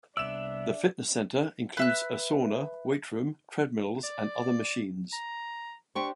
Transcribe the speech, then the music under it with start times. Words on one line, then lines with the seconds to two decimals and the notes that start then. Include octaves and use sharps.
The fitness center includes a sauna, weight room, treadmills and other machines.
0.17 C2 B3 D4 D5 E5 E6 E7
1.77 B4 E5 F#6
4.04 D5
5.13 A#5
5.95 D4 G4 C5 C#6